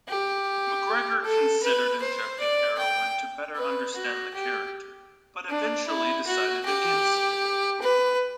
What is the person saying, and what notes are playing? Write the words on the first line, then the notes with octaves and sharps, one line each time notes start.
McGregor considered injecting heroin to better understand the character, but eventually decided against it.
G4
A4
B4
C5
D5
G5
B4
F#4
G4
D4
E4
F#4
G4
B4